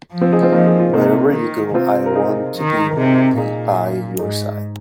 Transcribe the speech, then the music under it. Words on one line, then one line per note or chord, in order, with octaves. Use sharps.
Wherever you go, I want to be by your side.
F3
C4 F4
D#4 G#4
C4 F4
F3 A#3 D#4
G#4
F4
C3 A#3 D#4
D#3
C3 C4 F4
A#4
D#4 G#4
D#3
A#4
C3 D#4 G#4
A#2 D#4 G#4
G#2 D#4 G#4